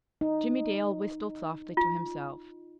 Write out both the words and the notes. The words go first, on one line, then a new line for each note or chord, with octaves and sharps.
Jimmie Dale whistled softly to himself.
D#4
F4